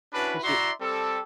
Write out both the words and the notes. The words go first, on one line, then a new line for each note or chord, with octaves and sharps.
'Cause you
C#4 D4 E4 F#4 B4
E4 F#4 D5 E5 A#5 C6
G3 C4 G4 A4